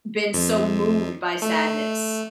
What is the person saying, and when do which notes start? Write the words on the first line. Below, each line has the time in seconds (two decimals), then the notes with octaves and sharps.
been so moved by sadness.
0.34 F2
1.42 A3